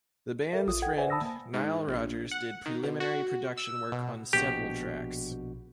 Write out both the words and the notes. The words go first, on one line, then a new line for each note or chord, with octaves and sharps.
The band's friend Nile Rodgers did preliminary production work on several tracks.
A4 A#4 E5
A1 F4 D#6
A4 F#5 G5 G#6
B4 C5 D5 E5 F#5 G#5
A5 B5 D#6 E6 A#6
A#3
G#2
A#1
F#5
D#3
B2
F#4
E6
B2
A#1 B2 F#4 G4